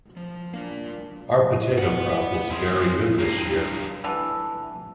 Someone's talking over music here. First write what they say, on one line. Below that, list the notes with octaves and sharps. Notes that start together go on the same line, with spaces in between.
Our potato crop is very good this year.
F3
A#3 D4 F4 A#4 F5
B4 F#5
C4 G#4
G2 A#3
D3 E3